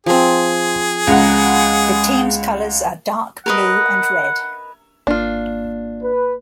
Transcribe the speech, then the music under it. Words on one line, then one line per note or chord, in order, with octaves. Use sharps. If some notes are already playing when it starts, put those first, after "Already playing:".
The team's colours are dark blue and red.
F3 C4 G#4
C#2 G#3 F#5 A#5
A#4 B4 D#5 F#5
G#1 A#3 D4 F4
B4